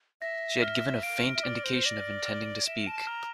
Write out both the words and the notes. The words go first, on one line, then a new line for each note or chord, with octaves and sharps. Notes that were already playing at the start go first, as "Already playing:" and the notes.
She had given a faint indication of intending to speak.
E5 A#6
F6
F5 D7
E5
E5
D5 F6
C5
D5 A#6
F6
E5 E7
A5
A#5 F6